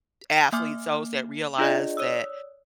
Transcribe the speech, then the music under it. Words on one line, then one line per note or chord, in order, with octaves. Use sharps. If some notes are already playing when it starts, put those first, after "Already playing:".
athletes those that realize that
A#3 E5 G#5 D6 F6
D4 F4 G#4 D5 D#5
C#5 D5 D#6 E6